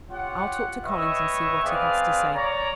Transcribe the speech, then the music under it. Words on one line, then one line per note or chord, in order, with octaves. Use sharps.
I'll talk to Collins and see what he has to say.
F4 G4 C#5 F#5
B4 C#5 D#5 E5 G5 C#6
C4 G#4 B4 D5 F5
C#5 D5 A#5